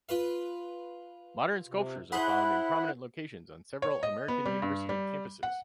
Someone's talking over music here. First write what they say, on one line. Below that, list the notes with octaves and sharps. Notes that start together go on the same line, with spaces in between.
Modern sculptures are found in prominent locations on several American university campuses.
F4 B4 F5
C3
E4 G#4 C5 F#5 B5 F#6
C#5
D#5
B3
G3
G2
G3
F#5